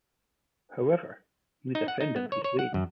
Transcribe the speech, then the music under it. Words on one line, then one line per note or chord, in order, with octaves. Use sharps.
However, he was a friend of Bruce Wayne.
D#4
F#5
D#4
B3
C#5
C#5
F#5
F#2